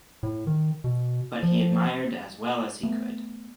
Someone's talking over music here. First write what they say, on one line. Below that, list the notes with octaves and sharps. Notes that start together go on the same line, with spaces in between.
But he admired as well as he could.
A2
D#3
B2
F3
A3 B3